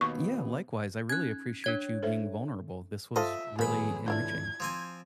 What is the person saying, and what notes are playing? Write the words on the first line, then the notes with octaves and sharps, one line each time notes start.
Yeah, likewise, I really appreciate you being vulnerable, this was really enriching.
D#2 B2 C#6
C#4 D#4 F#6 G#6
D4 C#5 G#6
A4 C5 E5
F4 A4 C5 D#5 E5
B1 G#2 D#3 F3 A#3 G#4 B5
D4 E4 F4 G#6
F3 C4 G#5